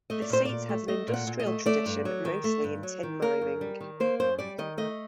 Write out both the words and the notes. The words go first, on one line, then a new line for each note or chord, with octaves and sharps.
The seat had an industrial tradition, mostly in tin mining.
A3 D#5
D5
A#2 C5
A#2 D5
A3
A3 D#5
A#2
F#5
A#2
D#5
A3
A3 D5
G2
F#3
D#3
A3
G2
F#3
D#3
A#3 A#4
F#2
G3
D#3
A#3 C5
F#2 C5
G3 D5
D#3 D#5
A3 D#5